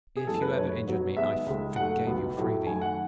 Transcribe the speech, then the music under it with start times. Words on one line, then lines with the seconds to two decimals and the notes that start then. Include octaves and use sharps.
"If you ever injured me, I forgave you freely."
0.17 G#4
0.26 F#2 E3 G#3 B3 A4
0.42 B4
0.57 F#2 D#3 A3 C#5
0.87 B2 F#3 B3
1.16 G#2 D#3 G#3 B3 E5
1.46 C#2 C#3 G#3
1.76 F#2 D#3 A3 F#5
2.06 C#2 B2 F#3 B3
2.37 A2 F#3 A3
2.66 F#2 D#3 A3 G#5
2.81 F#5